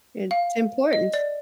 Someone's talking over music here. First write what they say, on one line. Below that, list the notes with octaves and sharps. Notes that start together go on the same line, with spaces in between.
It's important
F5
D#5
D5